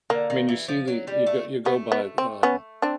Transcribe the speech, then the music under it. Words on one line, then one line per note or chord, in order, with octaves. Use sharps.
I mean, you see the you go you go by, um,
D3 A#3
D#3
E3
F3
F#3
G3
A3
A3 B3
B3
C4
B3 C#4
C4 D4